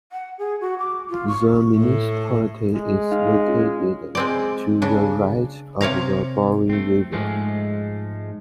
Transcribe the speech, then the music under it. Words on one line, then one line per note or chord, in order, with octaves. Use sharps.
The municipality is located to the right of the Broye river.
F#5
G#4
F#4
D6
F4
C#6
A2
G#3
D#4 F5
C#4 F4
G#3 C4 D5
C#3 D4
C3 C#5 F5 A#5
A3 C4
G#2 F3 G#3 A3